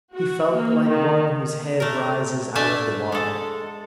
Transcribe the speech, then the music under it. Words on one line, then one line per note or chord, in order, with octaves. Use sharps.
He felt like one whose head rises out of the water.
F#4
A#3
D#3
A3 A#4
A3 D4 E5 G#5 A5
G#3 A4